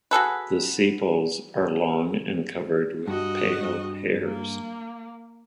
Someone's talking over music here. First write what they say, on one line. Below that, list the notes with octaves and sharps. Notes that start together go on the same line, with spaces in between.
The sepals are long and covered with pale hairs.
F#4 G#4 A4 B4
G2 F#4 D#5
A#3